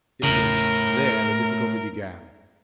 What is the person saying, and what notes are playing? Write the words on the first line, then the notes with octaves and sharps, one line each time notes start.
It was there the difficulty began.
E1 A2 C#3 A#4